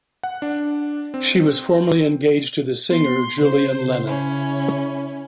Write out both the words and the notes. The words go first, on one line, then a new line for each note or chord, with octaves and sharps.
She was formerly engaged to the singer Julian Lennon.
F#5
D4
C4
B3 C6
C#3 C5
C#4 E4